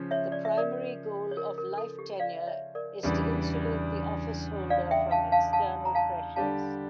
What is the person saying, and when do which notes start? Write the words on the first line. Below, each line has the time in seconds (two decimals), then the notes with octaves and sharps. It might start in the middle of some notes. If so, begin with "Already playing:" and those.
The primary goal of life tenure is to insulate the officeholder from external pressures.
Already playing: C#3 F3 C#4
0.11 C#5 E5
0.32 D5
0.45 E5
0.57 A#4 D5
1.31 C#5
1.37 A#4
1.58 A#4
1.78 A4
1.99 G4
2.20 D5 F5
2.47 C#5 E5
2.75 A#4 D5
3.03 E2 C#3 E3 G3 D4
4.70 D5 F5
4.91 E5 G5
5.11 F5 A5
5.32 F5 A5
5.53 F5 A5
5.85 A#5
5.95 F5 A5
6.36 D3 G3 D4 G4 F5 A5